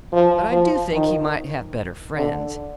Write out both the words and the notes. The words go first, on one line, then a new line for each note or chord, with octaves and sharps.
But I do think he might have better friends.
F3
F3
D#3
D3